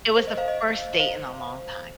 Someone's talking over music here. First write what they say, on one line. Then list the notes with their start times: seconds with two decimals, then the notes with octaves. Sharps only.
it was the first date in a long time.
0.17 C5
0.27 D#5
0.37 C5 F5
0.48 D#5
1.00 C5 F5